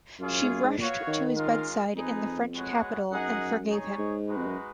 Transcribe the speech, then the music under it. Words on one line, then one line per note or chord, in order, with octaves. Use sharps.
She rushed to his bedside in the French capital and forgave him.
F#2 F4 G#4 C#5 F5
G#2
F#2
G#2
A#2 B3 F#4 C#5 F5
D#3
G#3 C#4 F4 A#4 F5
F2 D#4 G#4 B4
G#3 B3 F#4 C#5 F#5
F#2 D#4 G#4 D#5 F#5
D#4 G#4 C#5
G#2
G#3 D#4 F#4 B4
F2
F#2